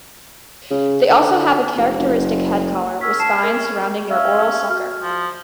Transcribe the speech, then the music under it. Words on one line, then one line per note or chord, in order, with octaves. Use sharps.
They also have a characteristic head collar with spines surrounding their oral sucker.
C#3
D3
F1
F#1
C#4 A#4 E6 B6
A5 C7 E7
A#4
C#4 E5 F5 E6
F#4 F6
F3